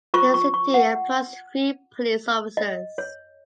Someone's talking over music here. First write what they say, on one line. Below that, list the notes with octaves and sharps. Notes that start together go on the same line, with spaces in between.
The city employs three police officers.
F4 C5 C#6
C#6
C#6
F#5
D#5
C#5